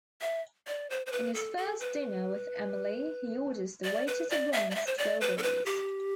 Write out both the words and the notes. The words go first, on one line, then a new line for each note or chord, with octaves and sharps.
In his first dinner with Emily, he orders the waiter to bring strawberries.
E5
D5
C5
C5
B4
A4
A4
B4
D5
B4
D5
E5
D5
E5
C5
D5
B4
A4
B4
G4